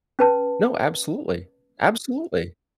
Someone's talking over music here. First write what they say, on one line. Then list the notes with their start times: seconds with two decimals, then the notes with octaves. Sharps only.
No, absolutely. Absolutely.
0.19 C#4 B4 A5